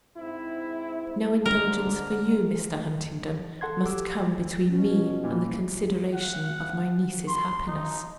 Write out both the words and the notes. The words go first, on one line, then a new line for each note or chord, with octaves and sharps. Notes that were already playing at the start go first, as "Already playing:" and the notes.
'No indulgence for you, Mr. Huntingdon, must come between me and the consideration of my niece's happiness.'
G#2 C4 E4
G#2 D3 A#4
A4 F#5 C6 G#6
G4 D6 E6
B2 C#4
A#2 E3
F#5
C6
D#4